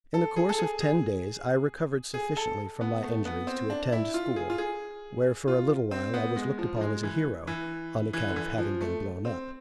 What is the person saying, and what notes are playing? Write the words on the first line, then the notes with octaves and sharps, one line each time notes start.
In the course of ten days I recovered sufficiently from my injuries to attend school, where, for a little while, I was looked upon as a hero, on account of having been blown up.
A4
G#4
A4
G#4
G#4
G#4
A4
B3
A3
B3
C4
D4
E4
F4
G#4
F4
G#4
F4
C4
B3
G#3
F3
F3
G#3
E3
E3
E3
D3
E3
F3
A3
C4